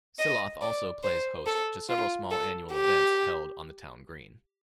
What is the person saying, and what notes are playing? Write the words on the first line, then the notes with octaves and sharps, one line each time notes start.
Silloth also plays host to several small annual events held on the town green.
D#5
D5
C5
A4
F4
A4
G4